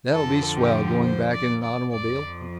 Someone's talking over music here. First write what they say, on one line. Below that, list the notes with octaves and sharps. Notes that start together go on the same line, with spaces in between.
That'll be swell, going back in an automobile.
F2 D3 F3 A4
G4
C5
D5
D5
F2 F3 D5